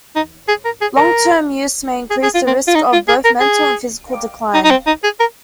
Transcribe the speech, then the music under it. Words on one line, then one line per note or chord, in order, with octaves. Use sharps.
Long-term use may increase the risk of both mental and physical decline.
D#4
G#4
A#4
G#4
A#4
G#4
G#4
F4
C4
F4
D#4
F4
G#4
A#4
G#4
D#4
D#4
C4
D#4
G#4
A#4